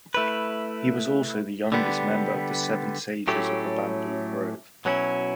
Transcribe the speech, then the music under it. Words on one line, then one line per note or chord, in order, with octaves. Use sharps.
He was also the youngest member of the Seven Sages of the Bamboo Grove.
A3 E4 B4
D3 G3 B3
A2 F#3 A3 C#4 G4
B2 F#3 C#4 E4